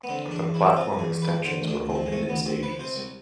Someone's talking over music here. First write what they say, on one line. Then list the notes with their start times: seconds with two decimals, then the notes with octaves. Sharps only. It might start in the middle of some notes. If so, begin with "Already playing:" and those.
The platform extensions were opened in stages.
0.04 B3
0.09 D3 C4
0.26 E2 D4
0.42 E2
0.54 E4
0.59 F3
0.77 C3 F4
0.93 E2
0.99 G#4
1.10 E2
1.22 B4
1.27 E3
1.44 D3 C5
1.62 D2
1.67 D4
1.78 D2
1.90 C4
1.95 F3
2.06 G#3
2.12 C3 A3
2.29 D2 B3
2.46 D2 C4
2.63 F3 B4
2.79 C3 C5
2.96 C2